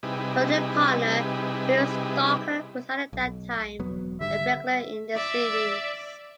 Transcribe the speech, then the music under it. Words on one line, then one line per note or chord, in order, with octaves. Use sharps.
Her then partner, Bill Stalker, was at that time a regular in the series.
C3 G3 D#4 E4 G#4 B4
B1
E1 F#3 B3
G#1 D3 G3 E5
D5 E5